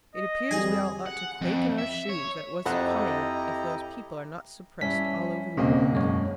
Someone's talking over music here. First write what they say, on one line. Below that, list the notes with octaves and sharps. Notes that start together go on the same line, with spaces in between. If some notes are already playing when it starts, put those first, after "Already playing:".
It appears we all ought to quake in our shoes at what's coming if those people are not suppressed all over the world.
D#5
F2 F#3 G3 G#4 G#5
F#5
F2
E5
C#5
F2 E4 G4 A4 C5 D#5 F#5 A#5
G2 C#4 E4 B6
E1 C#3 A#3 C4 D#5
F#2 G#3 C#5